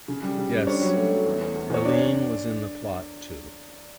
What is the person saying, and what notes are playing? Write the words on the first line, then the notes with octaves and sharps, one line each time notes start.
Yes, Helene was in the plot too.
C#3
G3
C#3
G3
D4 C#5
F#3
A3
A3
E2
E2
E2
E2 C#5
D4 D5